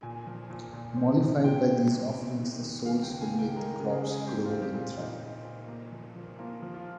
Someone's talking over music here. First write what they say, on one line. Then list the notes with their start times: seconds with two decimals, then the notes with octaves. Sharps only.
Mollified by these offerings, the souls will make the crops grow and thrive.
0.03 A#2 G#5
0.27 F3
0.50 A#2
0.73 A#2
0.97 C4
1.21 A#2
1.44 G#3 G5
1.68 G#3
1.91 C3
2.15 C3
2.38 D#3
2.62 D#3
2.85 G#3 F5
3.03 G5
3.09 C#2
3.21 G#5
3.33 C#2
3.39 G5
3.56 G#3 A#4
3.74 A#4
3.80 C#3
3.91 G#4
4.03 G#3
4.09 G#4
4.27 C4 G4
4.45 F4
4.50 C4
4.62 G4
4.74 A#2
4.80 F4
4.97 A#2 D#4
5.21 A#2
5.45 A#2
5.68 A#3
5.92 F3
6.15 F3
6.39 A#3 F4
6.62 F3
6.74 F4